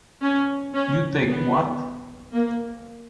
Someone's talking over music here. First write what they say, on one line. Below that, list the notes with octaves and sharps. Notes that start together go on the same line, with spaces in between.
You take what?
C#4
C#4
B3
A#3